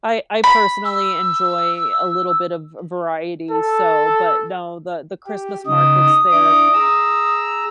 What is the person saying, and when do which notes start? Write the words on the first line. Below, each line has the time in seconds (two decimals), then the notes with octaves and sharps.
I I, personally, enjoy a little bit of v variety, so but no, the the Christmas markets there
0.44 B5
0.85 E6
3.51 A4
5.26 G4
5.67 C#3 D#4 D#6
6.32 D4 E4 D6
6.74 G#4 A#5 E6